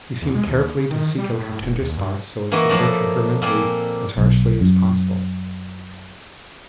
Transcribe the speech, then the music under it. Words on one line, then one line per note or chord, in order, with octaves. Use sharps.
He seemed carefully to seek out her tender spots so as to torture her mentally as harshly as possible.
E2
G#3
D#2
C#3
D#3
G3
A2
E1
D#2
G2
E3 A#3 E4 F#4 B4 D#5
A2 F3 A#3 A4 D5 D#5
A#2 A#3 C4 A4 G#5
B1
F#2